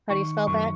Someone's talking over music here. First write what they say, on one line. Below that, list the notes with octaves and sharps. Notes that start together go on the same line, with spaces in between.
How do you spell that?
D#3 C#6
F#2 C#6